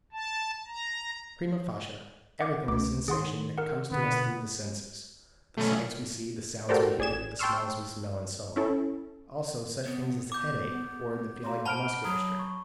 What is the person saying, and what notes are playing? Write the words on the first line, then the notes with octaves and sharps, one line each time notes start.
Prima facie, everything is sensation that comes to us through the senses: the sights we see, the sounds we hear, the smells we smell, and so on; also such things as headache or the feeling of muscular strain.
A5
A#5
E5 F#5 D6
C#2 A3 C#4 D6
D#3 G#4 F#5 C6
A#4 F#5
B2 D3 B3
B1 A3 C#4
F#4 G4 A4 A#4 C5 D5
A1 G#4 D5 G#6 E7
G5 A5 C6 C#6 E6 F6
C#4 E4 A4
B3
D6 G6
F#4 F5 A#5 C6
C5 F#5 A5 B5 F6 D7 G7
F#3 A#5 D#6
C#6